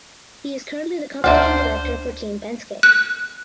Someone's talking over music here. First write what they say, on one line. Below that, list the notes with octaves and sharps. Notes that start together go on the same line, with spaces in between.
He is currently the competition director for Team Penske.
D2 D4 C5 D5 E5
F#6